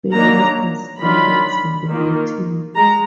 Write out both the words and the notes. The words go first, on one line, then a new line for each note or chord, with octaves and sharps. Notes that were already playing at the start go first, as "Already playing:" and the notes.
Peru has compulsory voting.
D#3 F#3 A#3 D4 A#5
D#3 F#3 D4 F4 B5
D#3 A#3 F4
G#3 A#5